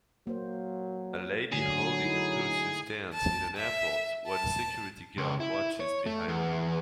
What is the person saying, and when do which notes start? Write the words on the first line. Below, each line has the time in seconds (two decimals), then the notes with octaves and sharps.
A lady holding a purse stands in an airport while a security guard watches behind her.
0.27 F#3 A#3 C5
1.53 D3 F#3 A3 D4 G#4
2.02 D#4 E4
3.14 A5
3.57 E5
4.28 A5
5.17 C#2
5.40 E4
5.80 C#5
6.06 A3
6.28 E2